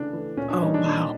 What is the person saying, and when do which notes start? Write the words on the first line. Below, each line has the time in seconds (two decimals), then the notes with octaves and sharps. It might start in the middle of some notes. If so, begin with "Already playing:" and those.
Oh, wow.
Already playing: C#3 E3 A3 D4
0.13 E3 A3
0.37 A#2 C#4
0.50 D4
0.62 G3 A#3 D#4
0.74 D4
0.86 A#2 D4